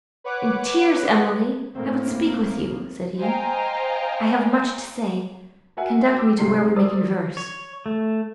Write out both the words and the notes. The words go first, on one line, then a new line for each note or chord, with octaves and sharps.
'In tears, Emily! I would speak with you,' said he, 'I have much to say; conduct me to where we may converse.
B4 C#5 F#5 D6 F#6
A2 A#3 C4
C5 D#5 F5 G5 G#5 A#5
F#4 A#4 E5 F#5 G#5
G5 D6 E6
G#2 C3 G3 C6 C7
A#4 C5 D5 D#6 E6
C#5
A3